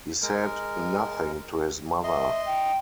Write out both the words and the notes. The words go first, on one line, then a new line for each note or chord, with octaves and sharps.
He said nothing to his mother.
G#3 A#4
D#5 E5 C6
G5